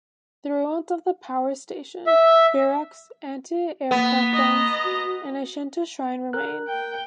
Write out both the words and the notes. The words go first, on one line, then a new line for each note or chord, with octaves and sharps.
The ruins of the power station, barracks, anti-aircraft guns and a Shinto shrine remain.
E5
A#3 B3
D#5 A#5
F#4
A#4 F#6
G5